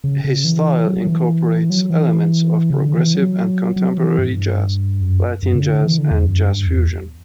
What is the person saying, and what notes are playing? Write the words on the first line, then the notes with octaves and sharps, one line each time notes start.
His style incorporates elements of progressive and contemporary jazz, Latin jazz, and jazz fusion.
C#3
C#3
E3
F#3
F#3
E3
F#3
E3
C#3
D3
E3
F#3
F#3
E3
G2
A2
G2
F#2
F#2
C#3
D3
E3
D3
E2
F#2
G2
E2